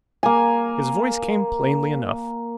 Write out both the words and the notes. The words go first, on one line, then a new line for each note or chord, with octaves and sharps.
His voice came plainly enough.
A#3 G#5